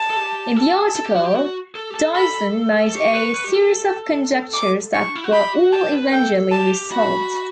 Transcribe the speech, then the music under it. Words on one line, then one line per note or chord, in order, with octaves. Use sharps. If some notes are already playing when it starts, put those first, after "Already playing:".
In the article, Dyson made a series of conjectures that were all eventually resolved.
Already playing: A5
A4
G4
A4
A4
G4
F#4
G4
F#4
A4
G4
A4
A4 B5
A4
G4 C#6
B4
B4
G4
A4
D6
C#6
D4
E4
F#4
G4 B5
F#4
G4 A5
B4
A4 G5
G4 A5
F#4 B5